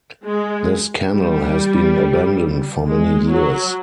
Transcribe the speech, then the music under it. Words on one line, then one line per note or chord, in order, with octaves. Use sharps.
This canal has been abandoned for many years.
G#3
G3
G#3
F#3